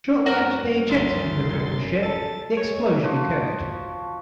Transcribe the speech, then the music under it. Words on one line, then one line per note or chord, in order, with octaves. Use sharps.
Shortly after they ejected from the crippled ship, the explosion occurred.
F#2 F#4 A#4
G1 D2 C6 A6
A4 A5 A6
G#3 C#5
F3 F#4 D6